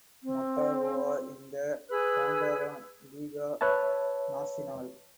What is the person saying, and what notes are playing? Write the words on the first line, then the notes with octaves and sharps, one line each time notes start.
Motagua in the Honduran Liga Nacional.
C4
G#4 B4 E6 F#6
B4 C#5 E5 A5